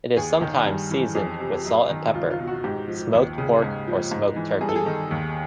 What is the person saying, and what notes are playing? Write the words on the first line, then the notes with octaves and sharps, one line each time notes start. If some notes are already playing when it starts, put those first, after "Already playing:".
It is sometimes seasoned with salt and pepper, smoked pork or smoked turkey.
D#2 G#4
D#3
G2
E3
F2 G#4
C3
F#2
D#3
C#2 F4
F4
B2
F#4
G#2 G4
F3
D#2
C#3
G#2
F3
G#2
E3
G2 G#4
A4
G#4
D#3
D#2